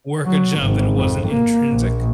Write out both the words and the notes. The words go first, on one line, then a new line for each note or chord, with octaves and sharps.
work a job that wasn't intrinsic,
F#3
G#1
F2
A#3
A#1